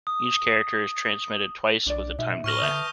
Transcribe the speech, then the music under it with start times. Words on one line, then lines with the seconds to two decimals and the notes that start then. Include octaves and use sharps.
Each character is transmitted twice with a time delay.
0.07 D#6
1.86 B1 D4 D5
2.19 B2 D#4 E5
2.44 A2 C#6 F6 A#6
2.62 D3 B4 E5 A5 D#6 G6